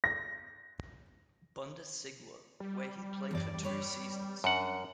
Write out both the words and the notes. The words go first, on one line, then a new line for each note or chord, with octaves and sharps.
Bundesliga, where he played for two seasons.
A#6
G3
E2 G2 D5
B4 C#5 D5
F#2 D4 F#5